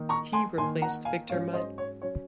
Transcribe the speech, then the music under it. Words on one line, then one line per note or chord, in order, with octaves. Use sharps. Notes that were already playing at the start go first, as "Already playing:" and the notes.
He replaced Victor Mutt.
Already playing: D#3 A#3 D#4
A#5 C#6
G#5 C6
D#3 A#3 D#4 G#5 C6
F#5 A#5
F5 G#5
G#2 F#3 C#4 C#5 F5
C5 D#5
C#5
F#3 C#4 C#5